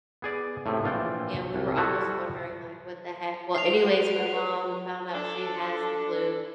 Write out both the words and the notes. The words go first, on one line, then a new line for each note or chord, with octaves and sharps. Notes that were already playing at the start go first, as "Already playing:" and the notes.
And, we were almost wondering like, "What the heck?" Well, anyways, my mom found out she has the flu.
B3 G#4 D5
A2 C3
A#1 E3 F4 D5 G5
C2
G3 E4 F#4 A4 C5 F#5
F5 C7 F7
C5 F#5
B4 F#5
D4 A4